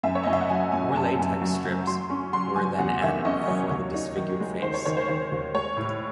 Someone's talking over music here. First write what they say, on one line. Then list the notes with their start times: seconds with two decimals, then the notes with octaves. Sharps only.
More latex strips were then added for the disfigured face.
0.03 F#2 E5
0.15 C#5
0.23 F#2 D#5
0.33 E5
0.41 F#5
0.50 F#3 G#5
0.72 F#2 G#5
0.95 F#2 A5
1.19 F#2
1.41 F#3
1.64 F#3
1.87 F#3 C6
2.10 C#4
2.33 F#3 C6
2.56 F#3 G#5
2.79 E2 F#5
3.02 D#3 E5
3.25 C#4 D#5
3.43 D#5
3.48 F#3 C#5
3.71 D#2
3.94 D#4
4.16 D#3
4.40 G#3
4.62 D#3 C5
4.74 C#5
4.85 D#3 C#5
4.97 C5
5.08 D#3 C5
5.32 D#2
5.54 G#3 C#5
5.77 A2